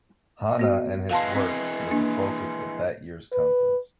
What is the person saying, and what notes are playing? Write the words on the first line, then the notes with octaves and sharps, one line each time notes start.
Hannah and his work were the focus of that year's conference.
B3 F#4
E3 G#3 F5 A5 C6
C4
A#3 D4
B4